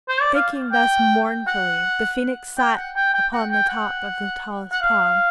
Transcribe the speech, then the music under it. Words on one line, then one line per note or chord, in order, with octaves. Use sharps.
Thinking thus mournfully, the Phoenix sat upon the top of the tallest palm.
C5
D5
F5
G5
F#5
G5
F#5
G5
G5
F#5
G5
F#5
F#5
F5